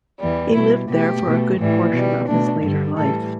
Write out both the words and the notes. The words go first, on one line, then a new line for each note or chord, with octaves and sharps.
He lived there for a good portion of his later life.
E2 E3 G3
B2 G3 E4
B2 A3 G4
B2 A3
A2 E3 G3
B2 G3
B2 A3 D4
G2 D3 G3
A2 E3 G3 A4